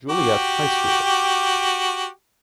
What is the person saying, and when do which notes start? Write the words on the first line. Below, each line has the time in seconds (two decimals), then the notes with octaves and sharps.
Juliet High school.
0.10 F#4 G4 D6